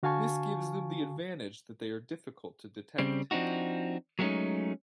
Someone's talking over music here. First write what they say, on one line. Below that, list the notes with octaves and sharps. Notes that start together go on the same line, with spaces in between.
This gives them the advantage that they are difficult to detect.
D3 F#4 F5 G#5 A5 C#6
C#3 G3 C4
F3 C4 D4 D#4 F#4
F#3 G#3 A3 B3 C#4 D#4